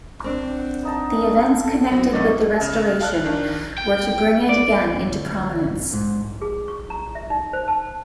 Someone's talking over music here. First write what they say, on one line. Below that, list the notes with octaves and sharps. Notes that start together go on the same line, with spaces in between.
The events connected with the restoration were to bring it again into prominence.
C4 D4
F#5
B3 D#4 A5
A4
F#2 C4 F#4
F#2 C3 D#4 D5 C#6
C#3
F5 A5 F6 F#6
D#3 D4
G5
D5
D2
G#2
G#4
C#6
A#5
E5
D#4
C5
A5